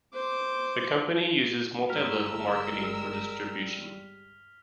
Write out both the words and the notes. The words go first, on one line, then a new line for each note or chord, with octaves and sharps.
The company uses multi-level marketing for distribution.
C5 D6
G1 G3 G#3 A#4 E6 F6 B6 F7